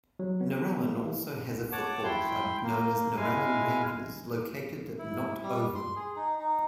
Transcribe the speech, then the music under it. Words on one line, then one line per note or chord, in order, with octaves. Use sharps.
Narellan also has a football club known as Narellan Rangers located at Nott Oval.
F#3
B3
C#5 F#5 A5 D6
E4 G5 C6
A#3
G#3 E4 F5 G#5
E4
G3
C6
G#4
D#4
D#4